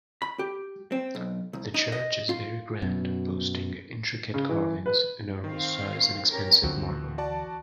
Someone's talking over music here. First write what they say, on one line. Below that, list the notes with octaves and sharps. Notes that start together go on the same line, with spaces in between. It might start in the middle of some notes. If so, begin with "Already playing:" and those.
The church is very grand boasting intricate carvings, enormous size, and expensive marble.
B5
G4
C4
B1
C2
D#4
D#5
F4
F#2 B2
C#3
E3
B4
D#3 C4 F5
C#4 G4 A#4
D2 E3 F3 C4 F#4
F#4 D5 A5